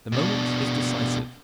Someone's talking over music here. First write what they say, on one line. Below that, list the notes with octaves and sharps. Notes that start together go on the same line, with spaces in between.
The moment is decisive.
B2 D4